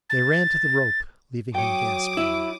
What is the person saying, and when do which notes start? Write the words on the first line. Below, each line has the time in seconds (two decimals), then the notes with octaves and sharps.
They ran to the rope, leaving him gasping there.
0.10 A6
1.55 F#3 C#5 G5 D6 D#6
2.17 E4